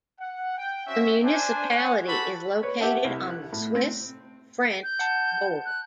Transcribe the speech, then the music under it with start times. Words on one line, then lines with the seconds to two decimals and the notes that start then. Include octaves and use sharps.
The municipality is located on the Swiss-French border.
0.20 F#5
0.57 G5
0.87 C4 C#4 F#4 E5
1.24 D4 C5 G#5
1.70 C#5 F#5 G#5
2.07 C4 F#4 G4 A4 A5 B5
2.63 B4 C#5
2.80 G4 E5 F#5 A5
3.04 C2
3.30 F#6
3.53 A2
3.75 C4
4.84 G6
4.99 F#5 A5
5.65 F#6